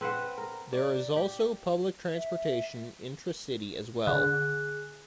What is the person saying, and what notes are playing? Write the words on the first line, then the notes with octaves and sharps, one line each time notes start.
There is also public transportation intra-city as well.
C4 B4 C5 F#5
A#4
D5
G4
E5
D3 G#4 F#6